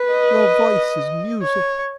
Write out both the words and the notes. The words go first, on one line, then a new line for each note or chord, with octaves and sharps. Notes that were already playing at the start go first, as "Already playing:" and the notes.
"Your voice is music."
Already playing: B4
D#5
C#5